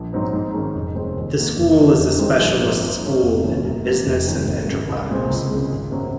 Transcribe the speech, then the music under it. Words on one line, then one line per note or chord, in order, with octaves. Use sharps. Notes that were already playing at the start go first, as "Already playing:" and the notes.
The school is a specialist school in Business and Enterprise.
Already playing: A#1
G#2 F#3 C4 D#4
G#2
D#3 G#3 C#4
F1
D#2 D#3 G#3 C4
D#2
D#3 A#3
F1
D#2 D#3 F#3
F1
F2 D#3 G#3 C4
A#1
G#2 F3 A#3
G#2
F#3 C#4
F1
D#2 C#3
F#2
F3 A#3
F1
D#2 D#3 F#3
G#1
F#2 C#3
C2
A#2 G#3 C4
C#2
C#3 G#3
G#1
F#2 C#3 F#3 C4